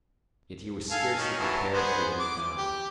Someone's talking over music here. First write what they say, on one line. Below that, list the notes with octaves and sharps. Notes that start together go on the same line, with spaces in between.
Yet he was scarcely prepared for what he found.
A4 F5 G#5
D#3 C#4
E3 F#3 A5
B3 G#4 C5
D6
G4